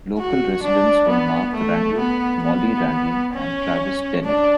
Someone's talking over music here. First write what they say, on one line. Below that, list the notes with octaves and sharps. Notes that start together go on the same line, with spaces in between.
Local Residents were Mark Randall, Molly Randall, and Travis Dennett.
F#4
D4
B3
A3
B3
B3
C#4
D4